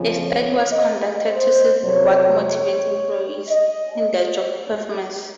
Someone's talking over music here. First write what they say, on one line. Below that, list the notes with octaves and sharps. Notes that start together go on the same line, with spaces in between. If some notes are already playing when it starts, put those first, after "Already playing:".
A study was conducted to see what motivates employees in their job performance.
Already playing: F2 C#3 F3
C#5
D#5
C5
F2 C3 F#3 C#5
C#5
D#5